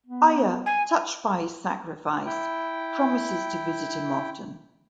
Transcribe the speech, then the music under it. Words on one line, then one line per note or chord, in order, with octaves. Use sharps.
Aya, touched by his sacrifice, promises to visit him often.
B3
G#5
E4 G5